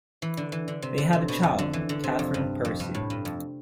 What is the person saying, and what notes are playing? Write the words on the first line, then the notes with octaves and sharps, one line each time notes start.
They had a child, Catherine Percy.
E3
D3
E3
D3
C3
D3
C3
B2
F2
D3
E3
D3
C3
F2
G2
F2
G2
A2
G2
F2